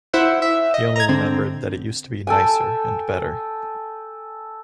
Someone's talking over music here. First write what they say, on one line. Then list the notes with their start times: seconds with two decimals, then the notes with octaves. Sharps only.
He only remembered that it used to be nicer and better.
0.13 E4 C5 E5 F#5
0.42 E5
0.74 D#5
0.96 A#5 G#6
1.09 D3 C4
2.27 A4 G5 G#5